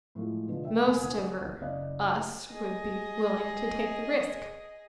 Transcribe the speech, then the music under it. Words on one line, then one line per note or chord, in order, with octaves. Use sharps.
"Most of--er--us would be willing to take the risk."
A2 F3 G#3 A3
B2 D3 F3
E5 G5
E1 A#3 G#5
D#2 C#3 F#5 G#5 D#6 G#6
F#1 D5 D#5 F5 F#6
G#4 D#5